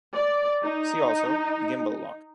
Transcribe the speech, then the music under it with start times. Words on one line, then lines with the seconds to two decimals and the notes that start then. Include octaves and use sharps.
See also: Gimbal Lock.
0.14 D5
0.63 D#4